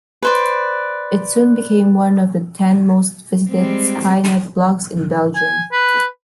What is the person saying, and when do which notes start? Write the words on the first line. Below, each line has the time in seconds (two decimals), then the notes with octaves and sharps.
It soon became one of the ten most visited Skynetblogs in Belgium.
0.22 B4 C5 D5
3.51 G3 G#3 C4
5.35 G#5
5.72 B4